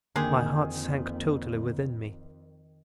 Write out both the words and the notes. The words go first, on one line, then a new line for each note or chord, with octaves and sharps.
My heart sank totally within me.
F2 D3 D#3 G#3 A#3 G4 G#4